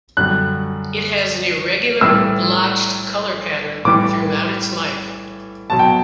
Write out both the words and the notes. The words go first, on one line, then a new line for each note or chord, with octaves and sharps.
It has an irregular, blotched color pattern throughout its life.
F#2 D3 G3 F#6
A2 E3 G3 E6
A2 E3 G3 D6
B2 F#3 A5
G5